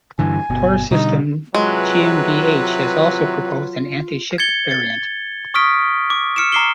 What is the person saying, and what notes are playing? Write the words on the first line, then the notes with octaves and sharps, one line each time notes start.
Taurus Systems GmbH has also proposed an anti-ship variant.
G2 D3 E3 G#5
G1 B2
B2 D3 G3 D#4
C3 E3 F#3 G#3 F4 B4
G#6 A6 C#7 G7
A6
C#6 D#6 F6 B6 D7
D6
F6 C#7 D7 E7
A#5 D6 C7 D7 G7